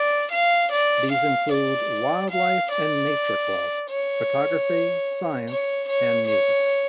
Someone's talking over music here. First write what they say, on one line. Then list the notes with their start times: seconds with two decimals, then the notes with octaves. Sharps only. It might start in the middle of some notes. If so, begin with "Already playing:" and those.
These include Wild Life and Nature Club, Photography, Science, and Music.
Already playing: D5
0.32 F5
0.72 D5
1.12 F5
1.52 D5
2.31 F5
2.71 D5
3.90 C#5
5.50 C#5
5.89 C#5
6.28 C#5